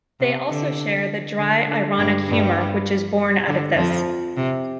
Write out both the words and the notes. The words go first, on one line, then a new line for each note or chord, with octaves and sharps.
They also share the dry ironic humour which is borne out of this.
C3
D3
D3
D3
G2 G3
G2 G3
D3
F2 F3
C3